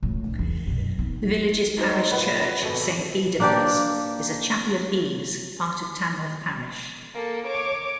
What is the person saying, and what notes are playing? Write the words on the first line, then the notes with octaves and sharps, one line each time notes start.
The village's Parish Church, Saint Editha's, is a chapel-of-ease, part of Tamworth Parish.
C#2 A2
E2
F#2 B2
B3
F#3 D#4 C5
A#2 B4 F#5 B5
G#1 B2 A4
A#3 D4 G4
A#3 A4
C#5 D6